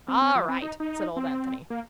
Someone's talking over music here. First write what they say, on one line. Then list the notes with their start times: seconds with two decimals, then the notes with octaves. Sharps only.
"All right," said old Anthony.
0.08 C4
0.22 C4
0.35 F3
0.49 C4
0.62 D#4
0.80 D#4
1.16 C4
1.70 A#3